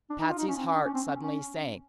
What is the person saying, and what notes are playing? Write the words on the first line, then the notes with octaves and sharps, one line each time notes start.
Patsy's heart suddenly sank.
D4
D#4
F4
D#4
C#4
C4
C#4
D4
C#4
C4
C#4
C#4